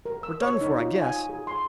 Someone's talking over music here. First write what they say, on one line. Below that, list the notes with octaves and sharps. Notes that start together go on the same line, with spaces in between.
"We're done for, I guess."
A#4
E6
C#5
D#4
F4
G#5
G#4
C6